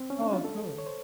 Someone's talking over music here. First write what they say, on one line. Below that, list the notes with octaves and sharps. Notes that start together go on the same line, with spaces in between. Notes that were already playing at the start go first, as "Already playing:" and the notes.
Oh, cool.
Already playing: C4
C#4
D4
F4
A4
C#5
C5